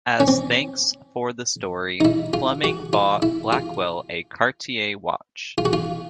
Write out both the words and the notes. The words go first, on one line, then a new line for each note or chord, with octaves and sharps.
As thanks for the story, Fleming bought Blackwell a Cartier watch.
C#4
C4
D#4
E4
F4
F#4
F4
E4
F4
F4
F#4
F4